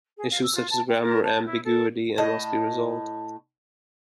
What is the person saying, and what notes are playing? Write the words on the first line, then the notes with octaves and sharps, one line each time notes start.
Issues such as grammar ambiguity must be resolved.
G#4
F5
E6
F4
A5
G5
A#4
A5
E4
A4
A2 D#5 A5